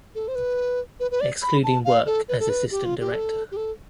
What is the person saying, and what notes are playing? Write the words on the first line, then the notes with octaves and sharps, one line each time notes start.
Excluding work as assistant director.
A4
C5
B4
B4
B4
D5
B5
A5
F5
A4
B4
A4
B4
G4
F4
G4
A4
G4
A4